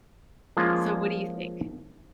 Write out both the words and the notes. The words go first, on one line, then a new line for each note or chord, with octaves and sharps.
So what do you think?
F3 G#3 A#3 C#4 F4